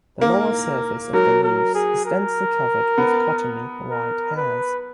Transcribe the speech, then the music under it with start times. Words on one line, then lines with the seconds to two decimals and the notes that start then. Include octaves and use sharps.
The lower surface of the leaves is densely covered with cottony white hairs.
0.21 A#3 A#4
1.13 F#3 A#4
1.44 A#4
1.75 G#4
2.05 A#4
2.98 B3
3.90 A#4
4.37 B4